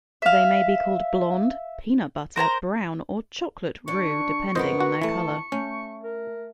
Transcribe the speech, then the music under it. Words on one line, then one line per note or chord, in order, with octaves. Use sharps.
They may be called "blond", "peanut-butter", "brown" or "chocolate" roux depending on their color.
E5 F5
A#4 C5 A5 A#5
D3 D4 C#6
F2 G#3 B3 A#4 C5 D#5 C#6
F#4
E2 E3 A3 A5
A3 C#4
A#4